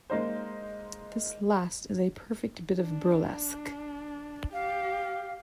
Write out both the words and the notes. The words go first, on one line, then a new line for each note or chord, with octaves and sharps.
This last is a perfect bit of burlesque.
G#3 A#3 D#4 C5
D4
G4 F5